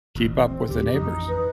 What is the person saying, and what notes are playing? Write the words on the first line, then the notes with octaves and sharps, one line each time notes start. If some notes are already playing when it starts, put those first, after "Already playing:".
keep up with the neighbors.
D#1 A1
C4
D2 D3 D#3 G4
A1 F2 D#4
B4